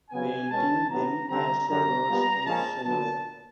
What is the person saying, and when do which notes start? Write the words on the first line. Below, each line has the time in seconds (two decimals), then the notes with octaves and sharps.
Painting them as a ghost is similar.
0.10 C#3 F#3 B3 G#5
0.49 B2 G#3 C#4 A5
0.88 A2 F#3 B3 A#5
1.28 D3 G3 C4 A#5
1.67 F#2 D3 G3 A#5
2.06 A#2 G3 B3
2.45 A#2 F3 G#3 C#4 A5
2.83 D3 F#3 B3 A5